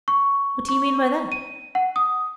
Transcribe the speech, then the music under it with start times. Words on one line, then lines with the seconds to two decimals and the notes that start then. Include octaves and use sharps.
"What do you mean by that?"
0.08 C#6
0.69 C#6
1.32 D#7
1.75 F#5
1.96 D#6